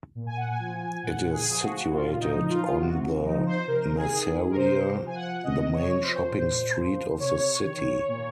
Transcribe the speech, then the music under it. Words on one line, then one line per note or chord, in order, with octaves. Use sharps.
It is situated on the Merceria, the main shopping street of the city.
A#2
G#5
F#5
G#5
F3
A#2 F#5
G#4
F3
F#4
A#2 F4
D#4
F3
F4
C3 F#4
F3 D#4
C5
C3 A#4
G#4
D#3
A#4
C3 C5
F3
G#5
F#5
C3 D#5
C#5
F3
C5
A#2
F3
C3 C#5
D#3
A#2